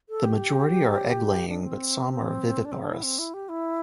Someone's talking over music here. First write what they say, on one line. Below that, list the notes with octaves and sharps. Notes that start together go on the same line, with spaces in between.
The majority are egg-laying, but some are viviparous.
A4
G4
D4
C4
C4
D4
C4
D4
E4
C4
E4
G4
E4